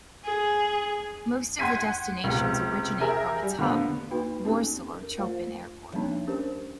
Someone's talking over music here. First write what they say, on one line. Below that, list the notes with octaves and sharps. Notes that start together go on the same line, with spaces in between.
Most of the destinations originate from its hub, Warsaw Chopin Airport.
G#4
F#5 G5 C6 G#6 B6 D#7
C#2 C3
G4 G#4 A#4 E5
G3
D3 A#3 B3
A#3 D#4 F#4 B4 G5 B5
A#3 C4 C#4 D#4 G4 A4
A#4
A3 F4 C5 F5
F3 G3 A#3 C4 D4 D#4
C#4 D4 G4 A#4 C5